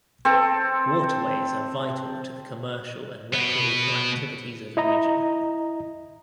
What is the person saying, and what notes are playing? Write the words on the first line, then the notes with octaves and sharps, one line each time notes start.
Waterways are vital to the commercial and recreational activities of the region.
C4 A4
B2 B3
E4 D#5 A#5